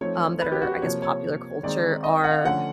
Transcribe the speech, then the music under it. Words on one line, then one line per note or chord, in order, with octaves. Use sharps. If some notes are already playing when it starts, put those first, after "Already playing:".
um, that are, I guess, popular culture are
F3 A3 C4 D#4 C#5
B4
G4
F#4
G4
C3 F3 A#3 C#5
C#5
D#3 G#3 C4 D#4 D5
D#5
F#5
F5
D3 F3 A3 C#4 F#5